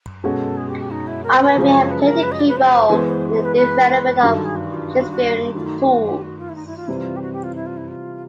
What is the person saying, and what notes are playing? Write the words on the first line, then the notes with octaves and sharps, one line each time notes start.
Armin may have played a key role in the development of Shakespearian fools.
B2 G#3 C#4 F#4 A4
G#4
G4
G4
D#4
E4
A#4
C5
B4
F#2 C#3 F3 G#3 C#4 C5
D5
C#5
B4
A4
A#4
B4
D#5
D5
B4
C5
C5
E3 G#3 B3 C5
C5
C5
B4
B4
B4
G2 D#3 F#3 A#4
A4
G#4
F#4
F4
F#4
F#4
F#4
D#3 F#3 A3 F4
D#4
E4
G4
F#4
G4
F#4
F4
E4
D#4
E4
F4
C3 E3 G3 C4 E4
F4
G4
F#4
G4
F4
E4
F4
E4
F4